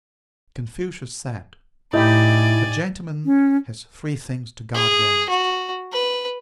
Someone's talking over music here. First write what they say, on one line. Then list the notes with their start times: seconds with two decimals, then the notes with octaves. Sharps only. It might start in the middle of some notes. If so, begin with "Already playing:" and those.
Confucius said, A gentleman has three things to guard against.
1.93 A2 D#4 E4 G4 D5 G#5
3.25 C#4
4.74 G#4
5.29 F#4
5.92 B4